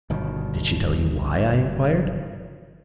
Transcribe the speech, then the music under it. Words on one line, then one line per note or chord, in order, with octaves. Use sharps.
'Did she tell you why?' I inquired.
G1 B2 D#3